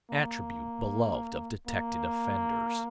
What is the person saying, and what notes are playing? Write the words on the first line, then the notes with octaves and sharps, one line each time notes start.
An attribute beloved of detected offenders.
A#3
A#3